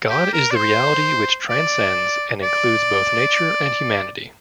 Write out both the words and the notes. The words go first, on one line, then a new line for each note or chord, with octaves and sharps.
God is the reality which transcends and includes both nature and humanity.
G4
A#4
D5
C5
D5
D5